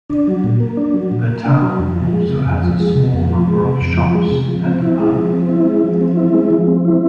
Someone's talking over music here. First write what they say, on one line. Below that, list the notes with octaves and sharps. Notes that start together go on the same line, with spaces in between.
The town also has a small number of shops and a pub.
D4
F#3
A#2
A#3
D4
F#3
A#2
A#3
D4
F#3
F2
F3
G#3
C3
F2
F3
G#3
C3
F2
F3
G#3
C3
F2
F3
G#3
C3
F3
C4
E4
G#3
F3
C4
E4
G#3
F3
C4
E4
G#3
F3
C4
E4